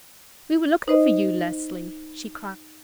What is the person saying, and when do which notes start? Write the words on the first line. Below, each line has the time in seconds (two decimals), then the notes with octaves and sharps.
"We were looking for you, Leslie," she cried.
0.88 D#4 C5 D#5